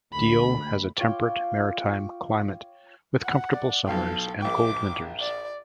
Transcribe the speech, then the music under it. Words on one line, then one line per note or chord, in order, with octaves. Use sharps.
Deal has a temperate maritime climate, with comfortable summers and cold winters.
D2 B5
F4 C#5 G5 D6
F#5
D5
B1 A4 F5 G5
A#1 G5 D6
D5